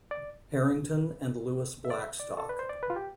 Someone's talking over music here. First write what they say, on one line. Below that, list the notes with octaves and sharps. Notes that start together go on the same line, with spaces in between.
Harrington, and Louis Blackstock.
D5
E5
D5
E5
D5
A4
B4
C5
D5
B4
F4
G4